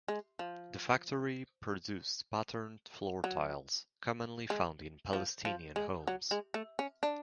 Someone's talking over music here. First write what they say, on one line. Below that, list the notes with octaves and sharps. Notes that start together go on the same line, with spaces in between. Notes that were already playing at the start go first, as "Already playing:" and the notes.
The factory produced patterned floor tiles commonly found in Palestinian homes.
G#3
F3
F#3
G#3
F3
F3
G#3
F#3
G#3
A3
C#4
D4